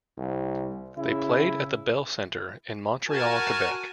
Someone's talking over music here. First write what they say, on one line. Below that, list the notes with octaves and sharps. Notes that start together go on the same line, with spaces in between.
They played at the Bell Centre in Montreal, Quebec.
C2
C#3 E4
F#4 A#4 G#5 A5